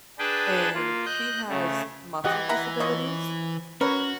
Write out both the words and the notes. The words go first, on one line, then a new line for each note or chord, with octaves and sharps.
and she has muscle disabilities.
D4 G#4 B4 G5 A5 B5
A#3 F4
D#5 F#6 G6
C#3 A3
E3 G4 D#5 F#5
E4 F#5 A#5 B5
F3 C#5 D#5
C#4 F#4 A#4 B4 C#5